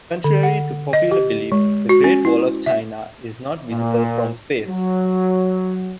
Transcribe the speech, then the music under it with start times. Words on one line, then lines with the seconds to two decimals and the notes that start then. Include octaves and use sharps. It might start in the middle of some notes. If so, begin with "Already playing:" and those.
Contrary to popular belief, the Great Wall of China is not visible from space.
0.24 D3
0.43 F#5
0.93 D#5
1.11 G4
1.52 G#3
1.89 F#4
2.04 C#4
2.25 E4
2.66 E5
3.71 A#2
4.67 F#3